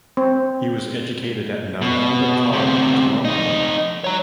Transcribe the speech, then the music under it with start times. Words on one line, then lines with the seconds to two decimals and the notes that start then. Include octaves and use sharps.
He was educated at Nalanda College Colombo.
0.17 C4
1.81 B2
2.52 D2 C3
3.25 F2 D#4
4.04 C#5 A#5